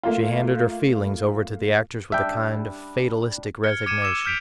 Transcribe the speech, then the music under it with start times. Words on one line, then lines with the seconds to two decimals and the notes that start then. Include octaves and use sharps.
She handed her feelings over to the actors with a kind of fatalistic resignation.
0.03 A3 A#3 F4
2.12 G3 D4 E5 G5
3.63 F6 G#6 C#7 G7
3.86 D6 G#6 C#7 D#7 E7
4.02 D6 E6 E7
4.25 F6 G6 B6 D7 F7